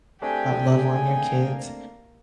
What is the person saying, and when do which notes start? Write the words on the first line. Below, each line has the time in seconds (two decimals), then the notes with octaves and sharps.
love on your kids.
0.22 A3 C4 D4 G4 G#4 G5 G#5
0.93 A#3